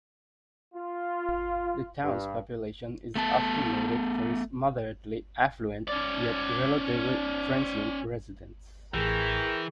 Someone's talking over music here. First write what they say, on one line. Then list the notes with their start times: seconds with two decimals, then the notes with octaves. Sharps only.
The town's population is often noted for its moderately affluent, yet relatively transient residents.
0.75 F4
2.04 G2
3.16 A3 B3 A5
5.88 C#4 D5
8.94 A1 A2 E3 G#4 A#4 G5 A#5 C#6